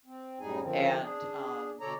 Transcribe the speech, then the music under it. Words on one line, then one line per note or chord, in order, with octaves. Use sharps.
And, um,
C4
F#2 A2 G3 D#4 G#4 G#5
D3 D#3 F3 C4
D4 G#4
B2 D3 A4 C#5 D5 A#5